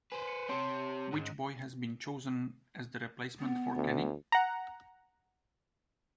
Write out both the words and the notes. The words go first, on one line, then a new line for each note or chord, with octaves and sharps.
Which boy has been chosen as the replacement for Kenny?
B4 C5 G#5
C#7
C4 G4 C#5 A5 C6
G#2 C#4
B3
D2
F#5 A#5